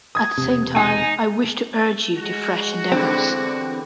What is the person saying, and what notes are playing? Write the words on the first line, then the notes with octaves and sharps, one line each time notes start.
At the same time, I wish to urge you to fresh endeavors.
D#6 G#6
E1 C3
D#4 G#5
G#3 F#4
E2 G2 D3 C4